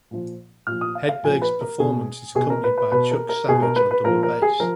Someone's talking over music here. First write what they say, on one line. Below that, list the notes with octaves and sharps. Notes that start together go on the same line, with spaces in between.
Hedberg's performance is accompanied by Chuck Savage on double bass.
A#2 F3
A#2 F3 F6
D#6
F5
F5
A#2 F3 G#5
B4
A#4
B2 G#4
B2 G#4
A#4
B4
B4
B2 B4
A#4
A#4
B2 G#4
A#4
B4
B4
A#2 F3 A#4
A#4
G#4
F3 A#4